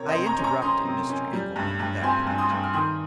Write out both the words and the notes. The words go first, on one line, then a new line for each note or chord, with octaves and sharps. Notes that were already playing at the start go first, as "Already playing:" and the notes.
I interrupted Mr. Engelman at that point.
Already playing: C3 A#4 C#5
C5 D#5
C3
A#5 C#6
C#4
A#5 C#6
C#4 C6 D#6
C3
C#4
G3
G2
G2
C4 G#5 C6
G2
C6 D#6
G2
F6
D#3 C6 D#6